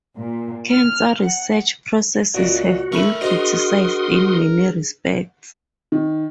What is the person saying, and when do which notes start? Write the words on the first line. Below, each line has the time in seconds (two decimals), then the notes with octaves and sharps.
Cancer research processes have been criticised in many respects.
0.17 A#2
0.72 F6
1.23 F#5
2.34 C#2 A#2 F#4
2.92 A3 A4 A#4 B5 C#6
3.21 D4 F#4 G#4 C5 D#5 C6 D#6
5.92 D#3